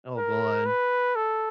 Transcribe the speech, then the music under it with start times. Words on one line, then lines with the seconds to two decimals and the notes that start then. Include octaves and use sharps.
Oh, god.
0.18 A#4
0.66 B4
1.16 A4